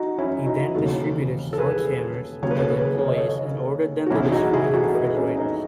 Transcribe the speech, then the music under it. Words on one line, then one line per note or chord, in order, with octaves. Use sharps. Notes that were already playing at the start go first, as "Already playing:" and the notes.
He then distributed sledgehammers to the employees and ordered them to destroy the refrigerators.
Already playing: D#4 F#4
C#4 E4
D#4 F#4
E1 D#2 C#3 F#4 A4
A4
G#4 B4
D#2 C#3 F#3 C#5
B4
A4 C#5
G#4 B4
C#5
D#5
A4 C#5
F#4
B1 A2 E3 C#4 E4
G#4
D#4 F#4
E4 G#4
F#4 A4
G#4 B4
C#4
D#4